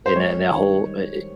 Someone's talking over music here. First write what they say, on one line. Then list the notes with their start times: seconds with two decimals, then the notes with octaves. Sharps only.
in that that whole, eh eh
0.06 C5
0.16 G#3 C#5
0.51 D#3
0.86 G3